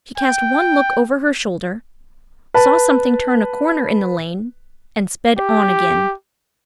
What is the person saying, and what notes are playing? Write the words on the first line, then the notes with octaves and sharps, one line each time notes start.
She cast one look over her shoulder, saw something turn a corner in the lane, and sped on again.
G5
B4 A5
G4